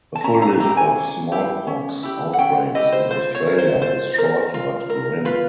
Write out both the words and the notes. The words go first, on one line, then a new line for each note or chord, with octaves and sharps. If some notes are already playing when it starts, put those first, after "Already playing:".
A full list of smallpox outbreaks in Australia is short but grim.
A5
C#4 A#5
A#5
E4 G4 A#5
G#5
C#4
E4 G4
C#4
E4 G4
F#5
C#4 G5
E4 G4 D#5
C5
F4 C5
C#5
A#4
C5
F4 C5
A#4
F4
A#4
F4 B4